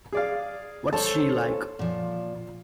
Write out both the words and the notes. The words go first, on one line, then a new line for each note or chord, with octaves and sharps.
What's she like?
G#4 D5 F5
A4 C5 C#5 A5
A#2 F3